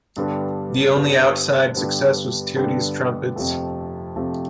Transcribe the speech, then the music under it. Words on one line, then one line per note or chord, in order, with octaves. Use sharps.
The only outside success was "Tutti's Trumpets".
G2 D3 G3 B3
G2 D3 G3 B3
G2 D3 G3 B3
G2 D3 G3 B3
F2 C3 F3 A3
F2 C3 F3 A3